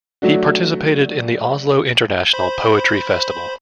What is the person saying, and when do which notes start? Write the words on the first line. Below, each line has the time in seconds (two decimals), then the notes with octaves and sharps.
He participated in the Oslo International Poetry Festival.
0.22 F#3 A3 D4 F#4
2.33 C5 B5